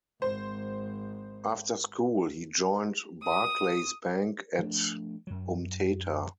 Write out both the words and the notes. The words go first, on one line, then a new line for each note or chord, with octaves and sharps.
After school, he joined Barclays bank at Umtata.
G#1 C5
D#6
F3 A3 D4
F#2 F#3